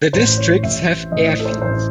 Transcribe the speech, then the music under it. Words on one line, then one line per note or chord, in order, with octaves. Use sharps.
The districts have airfields.
A1 A2 E3 C5
C#5
A1 A2 E3 E5
A1 A2 E3 D#5
C5
A4
C5
A1 A2 E3 C5